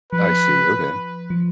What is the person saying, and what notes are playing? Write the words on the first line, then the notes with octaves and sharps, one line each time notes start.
I see, okay.
F3 B4
F3